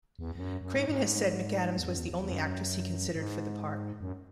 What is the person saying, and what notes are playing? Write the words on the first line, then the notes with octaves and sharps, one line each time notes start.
Craven has said McAdams was the only actress he considered for the part.
E2
E2
F#2
F#2
G#2
G#2
E2
F#2
E2
E2
E2
F#2
G#2
F#2